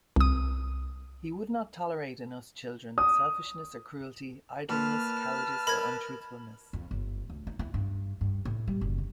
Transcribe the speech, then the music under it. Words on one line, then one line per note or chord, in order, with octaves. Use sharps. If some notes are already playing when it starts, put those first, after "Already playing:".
He would not tolerate in us children selfishness or cruelty, idleness, cowardice, or untruthfulness.
C2 D#6
D#6
A#2 B4 A5 F6
A#4 D#5 B5 G#6
F2
G1
D2
D#4
E4
G2
G2
A2
G3
F#1
D3